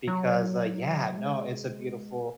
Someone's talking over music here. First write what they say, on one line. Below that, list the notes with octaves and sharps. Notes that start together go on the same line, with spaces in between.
because, uh, yeah, no, it's a beautiful
F#3
G#3